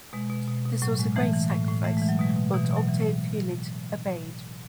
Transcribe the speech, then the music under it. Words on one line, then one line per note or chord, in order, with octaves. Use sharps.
This was a great sacrifice, but Octave Feuillet obeyed.
B2 G#3
B2
B2
B2
A2 F#3
A2 G#3
E3 A3
E3
A2
A2
E3 A3
E3 G#3
F#3
B2 G#3
B2
B2 E3
E3
B2
F#3
B2 E3